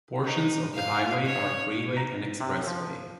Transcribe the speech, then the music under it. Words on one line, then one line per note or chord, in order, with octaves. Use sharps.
Portions of the highway are freeway and expressway.
D#4
F5
C#5
A#5
C3
F3